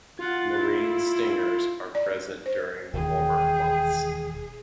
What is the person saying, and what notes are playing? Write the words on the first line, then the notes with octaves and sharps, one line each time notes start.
Marine stingers are present during the warmer months.
F4 F#5 A6
E4
D5
C5
E1 D#2 G#4 G5